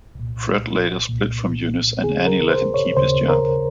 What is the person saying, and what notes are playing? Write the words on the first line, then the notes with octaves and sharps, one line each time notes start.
Fred later split from Eunice and Annie let him keep his job.
C2 A#2
C2 A#2
D#2 C#3 G#4
A#4
C5
C#5
D#2 C#3 C5
A#4